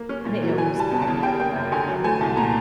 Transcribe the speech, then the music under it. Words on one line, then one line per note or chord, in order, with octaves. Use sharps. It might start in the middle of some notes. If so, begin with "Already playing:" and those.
I didn't know it was magnetic levitated, mm.
Already playing: A#3
C#4
A#2
F#3
E3 G#5
G3
A5
E2
A5
C#3
G3 G5
A#3 G5
F#2
D3 G#5
F#3
A3 G#5
C2 A5
A#2 A#5